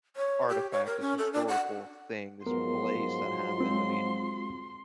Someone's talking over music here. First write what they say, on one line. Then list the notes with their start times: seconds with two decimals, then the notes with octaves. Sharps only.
artifact, this historical thing, this place that happened," I mean
0.16 C#5
0.49 G4
0.72 C#5
0.86 A#4
1.00 C#4
1.18 A4
1.33 D4
1.48 F#5
2.46 G#2 F3 F#3 B3 A#4 C6
3.58 G#3 C4 F4